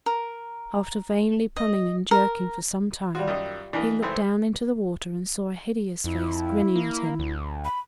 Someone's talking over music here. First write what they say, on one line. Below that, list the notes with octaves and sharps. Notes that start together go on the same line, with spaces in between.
After vainly pulling and jerking for some time, he looked down into the water and saw a hideous face grinning at him.
A#4
D#5
A#4
G3 F4 F#4
F#2 D#3 D#5
E3 A#3 D4 D#5
G#1 E3 A3 C4 E5
F2 E4
A#3
D2
B5